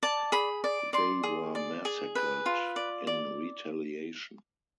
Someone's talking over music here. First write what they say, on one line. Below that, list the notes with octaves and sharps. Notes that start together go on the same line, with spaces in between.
They were massacred in retaliation.
D5 A5
G#4 B5
D5
D5 C6
G#4
D5
G#4
B4
F4
D5
D5